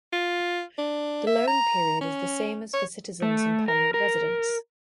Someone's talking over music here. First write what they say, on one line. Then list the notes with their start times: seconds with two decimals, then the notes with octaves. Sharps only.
The loan period is the same as for citizens and Permanent residents.
0.13 F4
0.78 D4
1.27 E5
1.47 A#5
2.01 C#4
2.73 C#5
3.22 A3
3.68 A#4
3.94 A#4